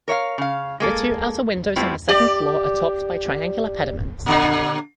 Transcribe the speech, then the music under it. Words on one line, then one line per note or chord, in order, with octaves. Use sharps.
The two outer windows on the second floor are topped by triangular pediments.
A#4 C#5 E5 F5
C#3 F5
G#3 A#3 A4
G3 A3 B3 C4 E4 F4
G4 D5
A#2 D3